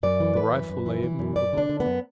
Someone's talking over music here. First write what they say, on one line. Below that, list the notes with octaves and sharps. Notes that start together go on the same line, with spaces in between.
The rifle lay immovable.
F#2 D5
E3
E3 B4
F#2
F#2
E3
E3
F#2
F#2 D5
D3 D4
D3
B3
F#2